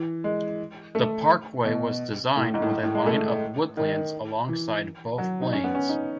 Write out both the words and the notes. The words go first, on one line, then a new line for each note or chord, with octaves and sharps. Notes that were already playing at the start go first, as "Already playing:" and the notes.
The parkway was designed with a line of woodlands alongside both lanes.
Already playing: E3
G#3
A3
B2
A2
G#2
A2
G#2
A2
G#3
A3
D#3
E3
F#3
D#4
C#4
B3
C#4
D#4